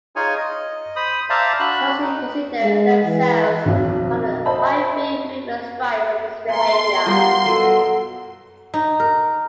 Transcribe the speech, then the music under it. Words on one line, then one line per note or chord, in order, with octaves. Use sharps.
Those who consider themselves part of the hyphy movement strive for this behavior.
D#4 F4 G#4 C#5 G#5
D#5
C5 B5 D#6
C5 D5 E5 F5 A5 A#5
D4 F#4 B5 F#6
D#4
G#3
E3
B1 F2
C5 D#5 E5 A5 B5
B2 A#4 G#5 C6
G3 F4 F#4 A#4 F5
B2 F#3 A4
D#4
A#4